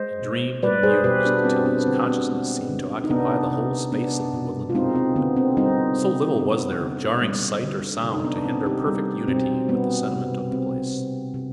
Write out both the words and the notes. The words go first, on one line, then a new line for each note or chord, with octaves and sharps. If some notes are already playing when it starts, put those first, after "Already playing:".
He dreamed and mused till his consciousness seemed to occupy the whole space of the woodland around, so little was there of jarring sight or sound to hinder perfect unity with the sentiment of the place.
Already playing: G#3 C5 D#5
B2
G3 B4 D5
G#4 C5
B2 G4 B4
B3 D4
G3 C4
B3 D4
D3 C4
B3
G#3
D3
D#4
C3 B3 D4
C3
G#3 B3 D4
B2
F4
G#3 C4 D#4
C4
D3 B3
C4
G3 C4 D#4
C3
D3 B3
D3
G3
D3
C3
D#4
B3 D4
C3 C4
D#4 G4
G3
B2 C4
G3 B3
C3
G3 C4
C3
C3